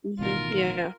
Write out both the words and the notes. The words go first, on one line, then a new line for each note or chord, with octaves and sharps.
Mhm. Yeah.
A1 B2 D#3 F4 A#4